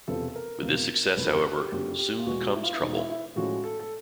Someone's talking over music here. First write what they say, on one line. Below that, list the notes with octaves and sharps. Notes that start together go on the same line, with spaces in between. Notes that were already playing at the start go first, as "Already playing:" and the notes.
With this success, however, soon comes trouble.
E1 E2 C3 F3 A4
A4
A#4
E1 E2 C3 F3
F#1 F2 D3 F#3 B4
A#4
A4
G4
F#1 F2 D3 F#3 G4
G4
F4
E2 B2 G#3 F#4
E4
F4
E4
E2 B2 G#3 D#4
E4
E4
A2 F3 G#3 C#4 F#4
A4
A4